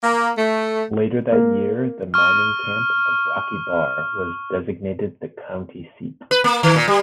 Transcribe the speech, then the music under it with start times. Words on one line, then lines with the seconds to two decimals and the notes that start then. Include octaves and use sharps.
Later that year the mining camp of Rocky Bar was designated the county seat.
0.03 A#3
0.37 A3
1.32 A#3
2.14 C#6 F6
6.31 B4
6.44 A#3
6.63 D#3
6.76 A#2
6.88 G3